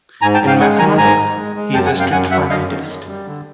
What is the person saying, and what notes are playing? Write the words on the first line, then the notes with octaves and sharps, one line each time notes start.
In mathematics, he is a strict finitist.
G#2 G#5 A#5
G5 A5
G#2
F5 G5
G#3 F#5 G#5
D#3 G#5 A#5
G#2 G#5 A#5
G#2
G#3
G#3
F#2 G5 A5
F#5 G#5
F#2
F5 G5
F#2 F#5 G#5
F#2 E5 F#5
F#2 D#5 F5
D#3
F#2
G3
D3